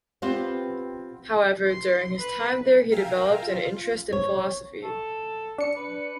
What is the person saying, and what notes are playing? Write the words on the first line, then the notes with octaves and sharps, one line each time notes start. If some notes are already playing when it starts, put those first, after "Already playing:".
However, during his time there he developed an interest in philosophy.
B3 C4 F4 G4 B4 C5
C6
B4
A#4 E5 F5 G5 G#5 A#5
F4
C#5
A4
D4 C#7
B4